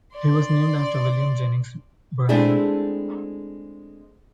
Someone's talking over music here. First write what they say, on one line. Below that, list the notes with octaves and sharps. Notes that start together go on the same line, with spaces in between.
He was named after William Jennings Bryan.
D5 C6
G#3 A3 C4 D4 E4 G#4